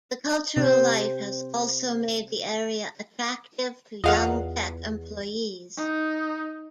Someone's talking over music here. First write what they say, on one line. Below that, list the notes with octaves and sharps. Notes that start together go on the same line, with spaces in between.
The cultural life has also made the area attractive to young tech employees.
C3 C4 C5
E2 F4 G#4 D#5 F5 F#5
D#4